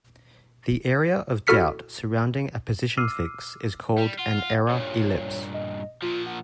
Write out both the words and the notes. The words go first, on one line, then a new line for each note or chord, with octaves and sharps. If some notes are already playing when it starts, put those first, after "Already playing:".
The area of doubt surrounding a position fix is called an error ellipse.
E4 F#4 A4 F6 B6 C#7
D6 E6 F6 C7 D#7
G3
F4 F#5
G2 A#2 C#5
D#5
A#2 F3 F4
F#5